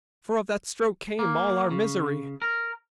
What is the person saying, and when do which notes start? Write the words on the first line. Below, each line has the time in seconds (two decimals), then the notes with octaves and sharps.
For of that stroke came all our misery.
1.19 A#3
1.71 C#3
2.42 A#4